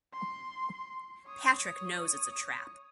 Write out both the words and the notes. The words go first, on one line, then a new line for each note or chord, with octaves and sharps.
Patrick knows it's a trap.
C6
C#5 D#6